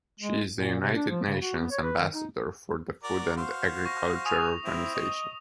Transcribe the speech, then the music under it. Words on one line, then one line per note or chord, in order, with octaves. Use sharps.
She is a United Nations Ambassador for the Food and Agriculture Organization.
G#3
A#2
C3
D4
F3
C#3
F#4
B3
C#5
B4
D#3
D#4
F#4 A#4 D5
F#4 C5 F5
C#6 A#6
G#5 D#6 F7
C4 E4
D#5